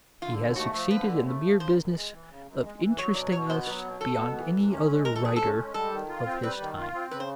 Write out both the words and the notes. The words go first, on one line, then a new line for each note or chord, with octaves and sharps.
He has succeeded in the mere business of interesting us beyond any other writer of his time.
D3 F4
D#2
A3 F#4
F3
D3 B4
D#2
A3
F3
C#3 C5
F#2
G#3
E3
C#3
F#2
G#3
E3
F#3 C#5
B2 D5
B2 C#5
B3 C5
F#3 B4
B2
B2 A4
B3
E3
C3
C#4
G#3
E3 A#4
A4
C3 G#4
C#4 A4
G#3
G3 A4
D#3
F4
C4
G3 B4
D#3
F4
C4
C#3 B4
C5